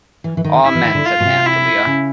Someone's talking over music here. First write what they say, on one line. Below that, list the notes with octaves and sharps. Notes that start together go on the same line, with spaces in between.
"Amen," said Aunt Dahlia.
E3
E3
D#3
E4
E3
D#3
D3
F4
B2
C3
E4
C#3